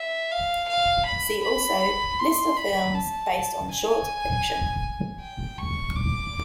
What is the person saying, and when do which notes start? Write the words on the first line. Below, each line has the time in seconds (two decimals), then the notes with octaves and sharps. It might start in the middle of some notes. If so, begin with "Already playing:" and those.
See also List of films based on short fiction.
Already playing: E5
0.31 F5
0.68 F5
1.06 B5
1.43 B5
2.19 C6
2.57 B5
2.94 A5
3.69 G#5
5.20 G5
5.58 C#6
5.95 D6